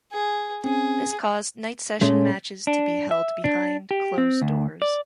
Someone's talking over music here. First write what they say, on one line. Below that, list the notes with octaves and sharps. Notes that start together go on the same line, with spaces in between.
This caused night session matches to be held behind closed doors.
G#4
C4 C#4 G#4
A#2 G#3 A3 C#4
D4
E5
D4
G4
C4
D2
D5